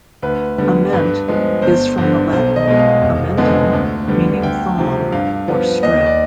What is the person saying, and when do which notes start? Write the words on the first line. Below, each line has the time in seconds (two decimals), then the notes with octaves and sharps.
"Ament" is from the Latin "amentum", meaning "thong" or "strap".
0.22 D2 B4
0.58 D3 G3 B3
0.93 G2 B4
1.28 F3 G#3 B3
1.62 G1 C5
1.97 G2 D3 C5
2.32 B1 C5
2.56 D#5
2.68 B2 G#3
2.79 F5
3.02 F1
3.37 F2 D3 G#3 B3
3.73 D2
4.07 D3 G3 B3
4.42 D2 G5
4.78 C3 F3
5.12 G2 F5
5.48 F3 B3
5.83 D#2 D#5
6.06 D5